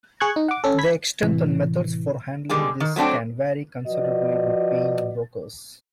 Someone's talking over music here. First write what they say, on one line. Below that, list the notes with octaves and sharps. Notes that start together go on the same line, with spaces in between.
The extent and methods for handling this can vary considerably between brokers.
G#4 C#6 F#6 G#6
D#4
F#5 D6
C#4 A4
B5 G#6 B6
A2 C3 E3
B2 D3 G3 G#3 G#4
D#3
F#3 A3 C4 D4 G5
F3 F#4 B4 D5 D#5